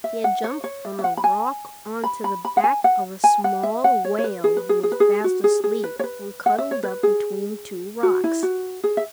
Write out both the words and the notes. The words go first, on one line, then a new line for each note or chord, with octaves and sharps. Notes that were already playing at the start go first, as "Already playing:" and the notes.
He had jumped from a rock onto the back of a small whale who was fast asleep and cuddled up between two rocks.
E5
F#5
C#5
C#5
E5
E5
F#5
B5
G#5
B5
B5
B5
F#5
G#5
F#5
G#5
F#5
E5
F#5
C#5
C#5
B4
G#4
B4
G#4
G#4
B4
G#4
F#4
G#4
G#4
B4
C#5
B4
F#5
E5
C#5
B4
G#4
F#4
E4
F#4
G#4
E5